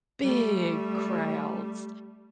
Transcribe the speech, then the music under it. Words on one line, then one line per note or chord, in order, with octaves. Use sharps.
big crowds.
G3 A3